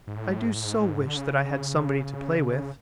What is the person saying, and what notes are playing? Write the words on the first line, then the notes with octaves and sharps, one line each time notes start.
I do so wish that I had somebody to play with.
G#2
A2
G#2
A2
G#2
A2
G#2
A2
G#2
D3
C#3